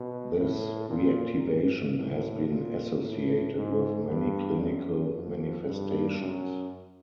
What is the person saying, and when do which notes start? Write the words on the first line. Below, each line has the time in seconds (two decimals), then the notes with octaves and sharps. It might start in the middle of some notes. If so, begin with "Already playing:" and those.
This reactivation has been associated with many clinical manifestations.
Already playing: B2
0.37 A2
0.90 A#2
1.43 G#2
1.96 A2
2.49 A#2
3.02 A2
3.55 G#2
4.08 G2
4.61 F#2
5.14 F2
5.67 G2
6.20 F#2